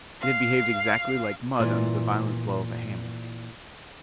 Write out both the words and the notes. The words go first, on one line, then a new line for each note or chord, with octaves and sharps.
It had behaved exactly like mud under the violent blow of a hammer.
F5
A#2 E3